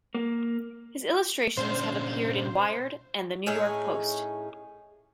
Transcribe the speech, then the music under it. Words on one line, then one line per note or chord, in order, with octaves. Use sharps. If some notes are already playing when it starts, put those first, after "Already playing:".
His illustrations have appeared in "Wired" and the "New York Post".
A#3
A#2 C#4 D4 C5
A2 C#4 D#4 G#4